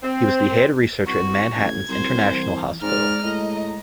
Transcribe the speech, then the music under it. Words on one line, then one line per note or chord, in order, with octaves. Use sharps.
He was a head researcher in Manhattan's International Hospital.
C4
C2 F#4
A1 D2 G#6
C2 F#3 C5
E3
G#2 G#3 D5 A#5 F6
A2 D#5